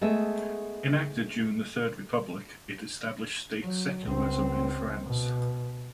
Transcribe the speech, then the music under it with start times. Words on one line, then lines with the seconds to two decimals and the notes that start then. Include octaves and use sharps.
Enacted during the Third Republic, it established state secularism in France.
0.01 G#3 A3 B3 G#4 E5
3.62 F#3
4.04 C#2 C4
5.03 B2